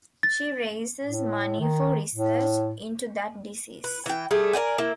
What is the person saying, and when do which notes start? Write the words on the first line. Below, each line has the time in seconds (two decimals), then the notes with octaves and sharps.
She raises money for research into that disease.
0.23 A6
1.04 A2
1.60 D#3
2.15 A2
3.84 B4
4.06 E3 G5
4.31 G3 A3 G#4
4.53 A#4 D5 G5 G#5
4.78 A#3 E4